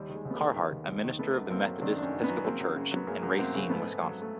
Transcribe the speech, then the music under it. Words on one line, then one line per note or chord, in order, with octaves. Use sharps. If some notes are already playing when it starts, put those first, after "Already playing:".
Carhart, a minister of the Methodist Episcopal Church, in Racine, Wisconsin.
Already playing: D#2 G3
D#3
G#3
D#2
B3
G#3 A#3
D#3
D#2
D#2
D#2
D#3
D#3 A3 B3
F#2
F#2 A#3 C4
F#3
D#3 C4 D4
F#2 D4
C#4 D#4
F#2
B3 C#4
F#3
C#3 A#3 C4
F#2
C#3
F#3 B3
F#2 G#3 A#3
F#2
F#2 A#3 C4
C#3
G#2 A3 B3
G#2
F#3
A3